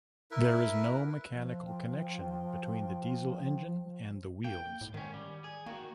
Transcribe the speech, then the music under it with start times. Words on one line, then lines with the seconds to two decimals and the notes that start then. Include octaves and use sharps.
There is no mechanical connection between the diesel engine and the wheels.
0.31 E4 A#4 B4 E5
1.32 F3
1.66 G5
4.44 A#3 G5
4.81 A2
4.94 G#2 D#3 C#4
5.14 G3
5.44 G#4
5.66 D#3 A#3 F#4